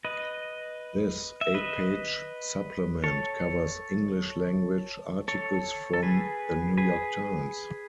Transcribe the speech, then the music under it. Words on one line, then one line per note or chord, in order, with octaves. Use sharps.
This eight-page supplement covers English-language articles from "The New York Times".
B4 D#5
E5
B4 D#5
A4 C#5
A4 C#5
A4
G#4 B4
G#4 B4